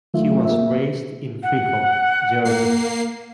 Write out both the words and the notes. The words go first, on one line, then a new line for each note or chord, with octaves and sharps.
He was raised in Free Home, Georgia.
D#3 F#3 A3 F4 E5
A#3 E5
F#5
A#3 C7